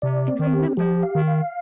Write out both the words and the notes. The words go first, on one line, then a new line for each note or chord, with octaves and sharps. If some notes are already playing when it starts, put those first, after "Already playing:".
And remember!
C3 D5
C4
D#3
G4
F3 G4
F5
D#3
F5